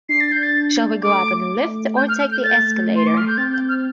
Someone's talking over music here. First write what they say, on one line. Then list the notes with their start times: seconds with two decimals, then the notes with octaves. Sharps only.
Shall we go up in the lift, or take the escalator?
0.09 D4 C7
0.20 A6
0.32 G6
0.43 A6
1.03 A3 D6
1.97 G6
2.09 F6
2.20 F6
2.32 G6
2.44 A3 A6
2.96 C6
3.07 D6
3.17 F6
3.28 G6
3.38 C4 A6
3.53 G6
3.69 F6